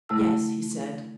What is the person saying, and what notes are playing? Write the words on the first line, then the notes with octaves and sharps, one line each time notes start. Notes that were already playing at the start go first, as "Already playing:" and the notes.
"Yes," he said.
C#3 A3 E4 A5 E6